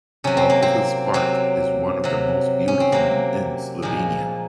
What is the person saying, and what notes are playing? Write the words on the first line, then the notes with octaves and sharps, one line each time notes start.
Valpovo's park is one of the most beautiful in Slavonia.
C3 F#3 C#4
C4
A#3
C4
C3 F#3 C4
C3 F#3
C#4
C4
C3 F#3 A#3
A#2 F3 G#3